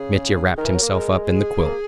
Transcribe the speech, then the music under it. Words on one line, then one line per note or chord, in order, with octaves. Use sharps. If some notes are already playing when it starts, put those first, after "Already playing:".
Mitya wrapped himself up in the quilt.
Already playing: C#3 G#4
D#3 A#4
E3
F#3
A#3
G#3 A#4
G#4
A#3